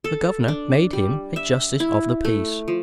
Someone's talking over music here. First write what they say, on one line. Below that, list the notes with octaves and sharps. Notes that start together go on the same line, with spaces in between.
The governor made him a justice of the peace.
A4
D4
G3
E5
E4
A3
F3